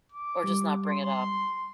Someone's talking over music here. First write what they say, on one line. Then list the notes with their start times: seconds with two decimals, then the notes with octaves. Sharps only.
Or, just not bring it up.
0.12 D6
0.44 G3
0.86 C6